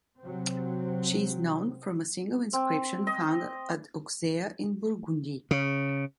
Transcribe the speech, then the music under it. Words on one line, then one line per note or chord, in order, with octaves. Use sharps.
She is known from a single inscription, found at Auxerre in Burgundy.
C3 F#3 C4
C4
D#5
C#3